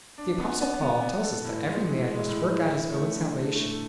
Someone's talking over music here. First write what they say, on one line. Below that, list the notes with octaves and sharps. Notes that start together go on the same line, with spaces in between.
The Apostle Paul tells us that every man must work out his own salvation.
D4
B3
B3
B3
B3
A4
A2
G#3
E3
G#3
A2
E3
E4
A3
D3
D3
A3